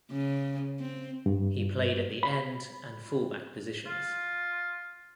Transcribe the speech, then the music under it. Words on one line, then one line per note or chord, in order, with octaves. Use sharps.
He played at the end and fullback positions.
C#3
C4
G2
B5
F4